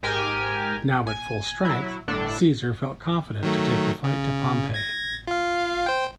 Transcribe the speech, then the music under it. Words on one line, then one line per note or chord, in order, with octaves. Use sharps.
Now at full strength, Caesar felt confident to take the fight to Pompey.
G#2 G4 A#4 G5 G#5 F6
G#5
F#3 E4
G1 A2 D3 D4 A4
D#3 F#3 A3
C#3
G#6 A#6
F4 F5
C5 G5